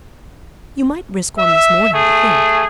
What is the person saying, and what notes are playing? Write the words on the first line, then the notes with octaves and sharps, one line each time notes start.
You might risk one this morning, I think.
E5
A3 G#4